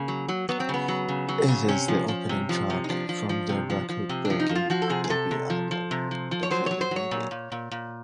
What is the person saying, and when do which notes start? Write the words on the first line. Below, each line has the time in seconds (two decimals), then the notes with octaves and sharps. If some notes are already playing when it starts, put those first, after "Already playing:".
It is the opening track from their record breaking debut album, "Definitely Maybe".
Already playing: C#3 A#3
0.08 F#3
0.28 F#3
0.49 F#3 B3
0.60 C4
0.69 C#3 B3
0.88 F#3
1.08 C#3
1.28 F#3
1.48 C#3
1.68 C3 C#4
1.88 F3
2.08 F3
2.29 C3
2.49 F3
2.70 C3
2.84 D#4
2.89 F3 D4
3.09 F3
3.29 F3
3.49 C3
3.70 F3
3.89 F3
4.09 C3
4.25 D4
4.30 F3
4.40 D#4
4.49 F3
4.55 F4
4.70 F3 F#4
4.82 A4
4.89 C3 G#4
5.04 G#4
5.10 C3 A4
5.31 C3
5.50 F3
5.71 F3
5.91 C3
6.11 F3
6.31 F3
6.43 C#5
6.51 F#3 C5
6.66 F#3 C#5
6.81 C5
6.91 F#3 C#5
7.11 A#2
7.31 A#2
7.52 A#2
7.71 A#2